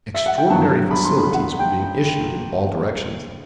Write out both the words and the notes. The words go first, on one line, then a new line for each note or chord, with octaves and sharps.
Extraordinary facilities were being issued in all directions.
E5
F#5
G5
G2 F#3 B3 A5
B5
C6
B5
F#5
G5